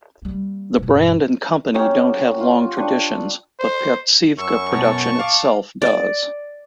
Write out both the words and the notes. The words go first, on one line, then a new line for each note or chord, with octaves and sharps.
The brand and company don't have long traditions but pertsivka production itself does.
G3 A#3
E1 G2
C#4 D#4 F#4 G4
F4
D4 G4 B4 C#6
C5
F#2 C#6 E6
B2 A5
F5 A5 D6
D5